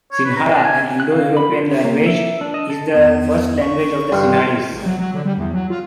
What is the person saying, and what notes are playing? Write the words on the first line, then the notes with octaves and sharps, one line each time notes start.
Sinhala, an Indo-European language, is the first language of the Sinhalese.
C#5
B4
A#5
D4
G#5
F#6
F5
B5
F4
C#5
A#3
E5
D4
D#5
A4
E2 B3
G1 C#6
G2 D#3 F4
G#1
F#3
F#3
D3
G3
E2
F#3
F4